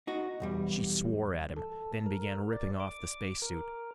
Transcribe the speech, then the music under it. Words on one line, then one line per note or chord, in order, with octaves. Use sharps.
She swore at him, then began ripping off the spacesuit.
D#4 F#4
B1 E2 G3
A4
A#4
D5
D6
A#4